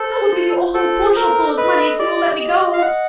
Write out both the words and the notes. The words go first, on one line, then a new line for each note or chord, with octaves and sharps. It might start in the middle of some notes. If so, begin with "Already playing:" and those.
'I will give you a whole bushelful of money if you will let me go!'
Already playing: A4 C5
F4
A4 C5
A4 A#4
B4 D#5
G4 D5
D#5
F5
D#5 F#5